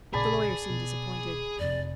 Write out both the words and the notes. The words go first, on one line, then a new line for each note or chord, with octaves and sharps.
The lawyer seemed disappointed.
A#1 A#2 C#3 G#4 D5 A5 B5
B2
F1 F2 C3 D5